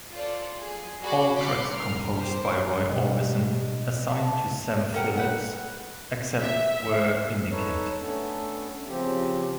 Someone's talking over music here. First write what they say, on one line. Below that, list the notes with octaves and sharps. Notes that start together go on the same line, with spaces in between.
All tracks composed by Roy Orbison, assigned to Sam Phillips, except where indicated.
F4 A4 C5 D5
G#4
A#3 F#4 G#4 D5 B5 D6
B5 C6 D6 C7 C#7
A#4 F6
G4 C5
B2 G3 G#3 D4 D#5
B3 A5
A#2 A4 A#4 F#5 G5
B4 F#5
E5
D#4 A4 B4 C#5
A3 B3 C#4 D4 A4
C#3 F3 C4 G4